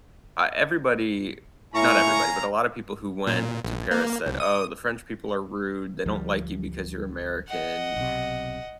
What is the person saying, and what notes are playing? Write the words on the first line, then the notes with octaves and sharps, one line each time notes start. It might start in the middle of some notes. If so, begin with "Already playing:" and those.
uh, everybody not everybody, but a lot of people who went to Paris said, "Oh, the French people are rude, they don't like you because you're American,
A2 C#4 E4 F5 G#5 A#5 C#6
A#2
A#1
A#3
C2
D#6
D2 F3 G3
D#5 F#5
B1 C3